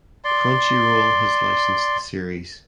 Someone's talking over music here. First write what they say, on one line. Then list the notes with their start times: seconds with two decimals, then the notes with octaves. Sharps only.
Crunchyroll has licensed the series.
0.24 D5 C6